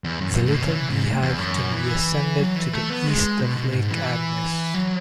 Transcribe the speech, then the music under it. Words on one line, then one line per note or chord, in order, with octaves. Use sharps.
The Little Beehive can be ascended to the east of Lake Agnes.
E2
F#2
A2
B2
C#3
E3
G#2
E2
F#2
E3
F#3
E3
A3
B3
G#3
B2
B2
G#2
E3
F#3